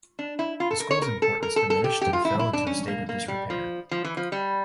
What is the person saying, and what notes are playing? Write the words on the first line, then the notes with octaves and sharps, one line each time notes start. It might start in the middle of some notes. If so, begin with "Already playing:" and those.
The school's importance diminished and fell into a state of disrepair.
D4
E4
F4
A4
A#4
C#5
A#4
A4
A#4
A4
A4
G4
G4
F4
E4
E4
D4
C#4
A#3
A#3
G3
F3
F3
E3
F3
G3